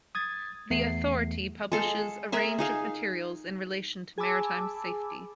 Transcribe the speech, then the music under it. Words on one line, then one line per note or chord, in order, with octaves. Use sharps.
The Authority publishes a range of materials in relation to maritime safety.
D#6 G#6 A6
E2 A3 C7
G#3 A4 F5
G#4 A#4 E5 C6
D#4 G#4 F5
G#4 G#5 A5 B5 D6 E6